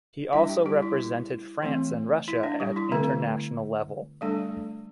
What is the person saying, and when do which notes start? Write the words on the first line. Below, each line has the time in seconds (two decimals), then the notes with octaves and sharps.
He also represented France and Russia at international level.
0.33 G3 D4 E4 E5
0.49 G4 G5
0.65 G3 G4
0.82 E4
0.98 E4
1.63 E3 A3 C4
2.28 E4
2.43 D4
2.60 G3 G4
2.76 E4
2.92 D3 A3 C4 A4
4.21 G3 A3 D4 A4